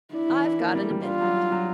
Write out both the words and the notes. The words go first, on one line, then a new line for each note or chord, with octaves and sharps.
I've got an amendment.
D4 E4
E3
D4
A#3
G3
G3
D4 F4
F#3
D4
F#3